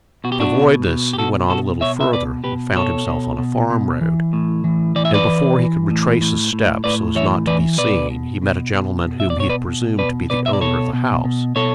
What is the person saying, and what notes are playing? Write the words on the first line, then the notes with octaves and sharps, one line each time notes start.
To avoid this he went on a little further and found himself on a farm road, and before he could retrace his steps so as not to be seen, he met a gentleman whom he presumed to be the owner of the house.
B2 F#4
G4
D4 F#4
B2
B2
G4
B2 F#4 A4
B2 F#4 A4
B2 C#5 E5
E5
B2 B4 D5
B2 G4 B4
B2 A4 C#5
B2
B2
B2
E3
A2
E3
E3 D5
E5
B4 D5
E3
E3
A2
A2
A2
A2 B4 D5
E3 C#5 E5
E3 B4 D5
B2 B4 D5
B2
B2
B2
B2
E5
D5
B2 C#5
B4 D5
B2
B2 B4 D5
B2 B4 D5
E5
D5
B2 A4 C#5
B2
B2
B2 A4 C#5